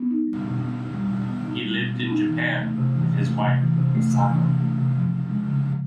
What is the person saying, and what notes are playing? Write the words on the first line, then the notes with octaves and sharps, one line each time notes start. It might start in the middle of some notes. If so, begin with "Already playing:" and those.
He lived in Japan with his wife Asako.
Already playing: B3
D#4
G3
B2
B3
D#4
G3
B2
B3
D#4
G3
B2
B3
D#4
E3
C3
A3
C3
E3
C3
A3
C3
E3
C3
A3
C3
E3
C3
A3
C3
F3
C#3
G#3
C#3
F3